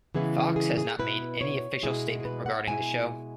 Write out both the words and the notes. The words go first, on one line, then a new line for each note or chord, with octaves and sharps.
Fox has not made any official statement regarding the show.
C#3 E3 G#3 B3 E4 G#4
G#4
G#4
B2 B3 E4 B4
C#5
B2 G#3 E4 G#4
G#4
B4
F#5
B2 G#3 E4 G#5